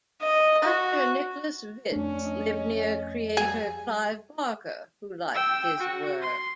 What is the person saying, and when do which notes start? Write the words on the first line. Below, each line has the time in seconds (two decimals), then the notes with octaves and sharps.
Actor Nicholas Vince lived near creator Clive Barker, who liked his work.
0.22 D#5
0.64 F#4
1.92 F2 A3 C#4 D4
2.25 D#5
3.37 G3 G#4
5.35 G5 E6
5.80 F#4
6.21 C6